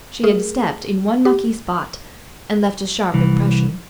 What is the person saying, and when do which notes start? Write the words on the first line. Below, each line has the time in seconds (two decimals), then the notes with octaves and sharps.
She had stepped in one mucky spot and left a sharp impression.
0.23 A3 G#4 A#4
1.25 G4
3.14 C2 E3